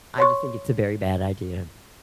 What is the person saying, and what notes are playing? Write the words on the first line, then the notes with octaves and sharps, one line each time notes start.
I just think it's a very bad idea.
C#5 C6 C#6